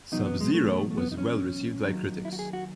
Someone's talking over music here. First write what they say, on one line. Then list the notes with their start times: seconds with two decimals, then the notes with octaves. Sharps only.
"SubZero" was well received by critics.
0.12 E2 B2 F#3 D#4
0.26 B3
0.41 G#3
0.54 A3
0.91 A3
0.98 B3
1.12 D#4
1.18 C#4
1.83 D#2 D#3 F#3
2.25 E4
2.33 F#4
2.39 G#4
2.53 F#4